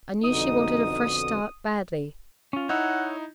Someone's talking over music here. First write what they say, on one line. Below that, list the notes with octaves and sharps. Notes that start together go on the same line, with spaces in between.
I knew she wanted a fresh start badly.'
C2 F2 B2 D3 D#4 D#6
C#4 F4
D#4 E4 C#5 F#5 A#5 E6